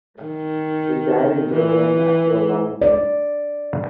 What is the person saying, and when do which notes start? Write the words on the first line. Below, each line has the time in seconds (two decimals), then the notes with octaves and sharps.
She died in Berlin after a long illness.
0.23 D#3
1.54 E3
2.82 D5